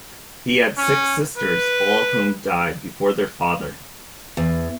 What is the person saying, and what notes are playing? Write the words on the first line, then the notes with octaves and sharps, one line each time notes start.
He had six sisters, all of whom died before their father.
C#4
B4
E2